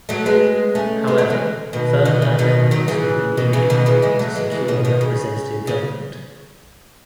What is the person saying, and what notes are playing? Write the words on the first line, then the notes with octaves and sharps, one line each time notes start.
However, further amendments would be needed to secure representative government.
F#3 A3
G#3 B3
A3 C#4
G#3 B3
F#3 A3
E3 G#3
B2 D#3
B2 D#3
C#3
B2 D#3
D#3 F#3
C#3 E3
B2 D#3
C#3 E3
B2 D#3
C#3 E3
E3 G#3
F#3 A3
E3 G#3
C#3 E3
B2 D#3
B2 D#3
C#3
C#3